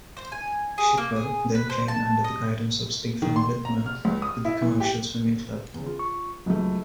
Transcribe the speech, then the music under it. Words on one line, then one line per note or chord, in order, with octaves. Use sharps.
Schipper then trained under the guidance of Stephan Widmer with the Commercial Swimming Club.
C5
G#5
G#4
A#3
G#4
B4
C5
A5
D#5
D#3
C6
A#5
F6
C#2
D#6
E4
E3
G4
E2 C#3
F4
C#6
C#2 F#3 A3